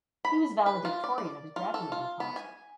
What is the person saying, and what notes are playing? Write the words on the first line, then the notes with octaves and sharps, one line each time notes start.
He was valedictorian of his graduating class.
B5
B4
F4
D5
D5
F4
A4
F4
B3
G#5